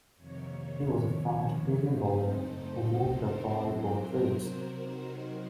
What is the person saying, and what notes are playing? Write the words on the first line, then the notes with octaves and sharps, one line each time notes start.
He was a fast medium bowler who moved the ball both ways.
F2 C3 D#3 A#3 C#5
C#5
F#2 C#3 A3 C4 D#4 C5
A4
A4
A#4
C3 F#3 C4 C5
A#4
F#4
D#4